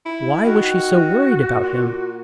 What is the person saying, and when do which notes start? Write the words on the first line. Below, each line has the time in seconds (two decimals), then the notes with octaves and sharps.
Why was she so worried about him?
0.06 E4
0.44 D#3 F#4
1.62 A#2